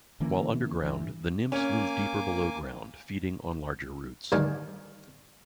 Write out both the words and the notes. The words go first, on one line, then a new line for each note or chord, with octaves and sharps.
While underground, the nymphs move deeper below ground, feeding on larger roots.
D3 E3 A#3 C#4
G2 E3
A#3 C#4 G#5 D6
D2 G2 D#3 G#5